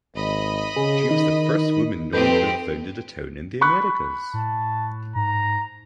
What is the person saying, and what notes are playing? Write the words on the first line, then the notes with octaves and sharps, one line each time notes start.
She was the first woman known to have founded a town in the Americas.
G#1 D#5 B5
C#3 G#4
D#3 D#4
F2 C4 G4 A4 B4 D#5 G5
B5 C#6 F#6
A2 A5
G#2 A#5